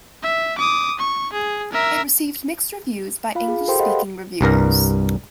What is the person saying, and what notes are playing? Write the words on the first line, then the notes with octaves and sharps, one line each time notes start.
It received mixed reviews by English-speaking reviewers.
E5
D6 D#6
C#6
G#4
A#4 E5
F4 F5 B5
G#4
G4 A4 A#4 C5 G5 C6
G#4 D#5 F5 F#5 B5
C2 G2 A#4 A#5